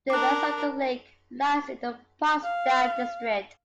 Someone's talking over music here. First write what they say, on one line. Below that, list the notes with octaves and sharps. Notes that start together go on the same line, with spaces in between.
The rest of the lake lies in the Potsdam district.
D4 A#4 D6 F#6
F5